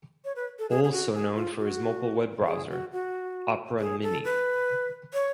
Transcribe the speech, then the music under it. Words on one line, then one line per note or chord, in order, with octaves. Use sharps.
Also known for mobile web browser Opera Mini.
C#5
B4
A4
G#4
G#4
F#4
G#4
F4
F#4
G#4
F#4
F#4
G#4
A4
B4
C#5